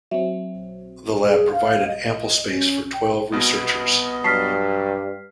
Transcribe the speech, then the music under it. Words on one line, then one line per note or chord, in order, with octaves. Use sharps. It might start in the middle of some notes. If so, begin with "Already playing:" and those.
The lab provided ample space for twelve researchers.
F#3 C4 E5
G#4
F5
D#5
D#5
C#4
G5
C2 B2 B3 D#5
G2 F#3 A5 C#6 F6 B6 C7